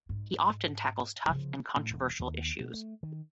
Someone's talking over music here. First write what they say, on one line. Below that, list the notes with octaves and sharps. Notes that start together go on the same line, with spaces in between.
He often tackles tough and controversial issues.
G#2
C#3 F3
A2
E1
D#2
B2
A3
D#3